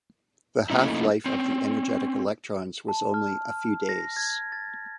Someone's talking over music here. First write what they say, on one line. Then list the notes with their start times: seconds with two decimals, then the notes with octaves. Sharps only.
The half-life of the energetic electrons was only a few days.
0.70 A3 A#3 C#4 D#4 E4
1.26 C4 C#4
2.88 A5
3.14 F6
3.49 F6
3.89 A#6
4.17 G#6
4.52 A6